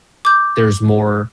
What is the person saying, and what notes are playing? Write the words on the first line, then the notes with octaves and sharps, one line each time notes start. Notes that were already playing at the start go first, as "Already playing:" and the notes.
there's more,
D6 G6